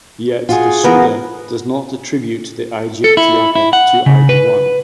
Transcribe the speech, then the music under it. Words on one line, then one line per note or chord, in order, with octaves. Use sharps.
Yet the Suda does not attribute the "Aegyptiaca" to either one.
F4 F#4 G#4
B3 A#4
A4
E4
E4
F#5
C#3
B4